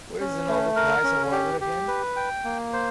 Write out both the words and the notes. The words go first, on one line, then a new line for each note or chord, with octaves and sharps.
Where is the Nobel Prize awarded again?
C#4
A3
A#4
C#4
G4
G4
B4
G5
A#3
C5